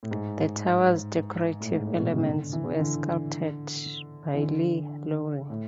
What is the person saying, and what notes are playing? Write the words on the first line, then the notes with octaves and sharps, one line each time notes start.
The towers's decorative elements were sculpted by Lee Lawrie.
A2
G#2
A2
G#2
A2
B2
C#3
D3
E3
D3
E3
D3
A2